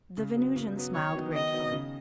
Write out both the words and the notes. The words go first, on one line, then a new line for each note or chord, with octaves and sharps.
The Venusian smiled gratefully.
C#3
F#3 B3
C#3
F#3 B3
D#3 C#5
F#3 B3 D#4
D#3 D#5
F#3 B3 D#4
C#3